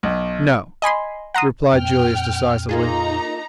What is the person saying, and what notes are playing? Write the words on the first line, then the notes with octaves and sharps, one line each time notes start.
"No," replied Julius decisively.
B1
D#5 G#5 B5 C6
F#5 A#5 C6 D#6
F2 A#2 C4 G5 F6
A#3 D#4 F4 G#4 A#5